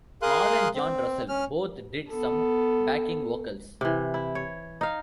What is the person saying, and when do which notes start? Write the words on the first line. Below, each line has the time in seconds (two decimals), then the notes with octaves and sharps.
Mal and John Russell both did some backing vocals.
0.22 G#4 A#4 F5 C6 D#6 F#6
0.74 C4
1.29 C#4 F6
2.10 B3 A4
3.81 C3 E3
4.14 E4
4.35 C#5
4.81 D#4 F5